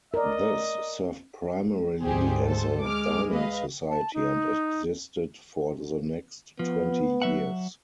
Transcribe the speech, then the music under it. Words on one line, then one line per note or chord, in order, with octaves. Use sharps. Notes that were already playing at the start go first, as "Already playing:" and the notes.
This served primarily as a dining society, and existed for the next twenty years.
A#4 D5 D#5
D2 G#2 G4 G#4 C5
A4 C5
G#3 D6 F6
B4 D#5 F5
A5
D#4
F3 B3
F#3 E5 F#5